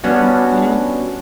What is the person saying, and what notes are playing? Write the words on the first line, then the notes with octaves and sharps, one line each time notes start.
you know?
G3 B3 C#4 D4 F#4